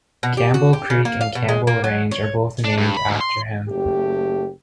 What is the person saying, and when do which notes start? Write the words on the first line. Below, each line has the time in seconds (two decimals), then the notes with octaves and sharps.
Campbell Creek and Campbell Range are both named after him.
0.23 B2
0.37 G4
0.54 F#4
0.73 G4
0.90 C#3
1.05 A#3
1.21 F5
1.35 B2
1.49 G#3
1.67 A#3
1.84 F#3
2.11 C#5
2.64 D4
2.78 G2
2.97 B5
3.09 D2
3.21 C6
3.68 F#1 A3 G4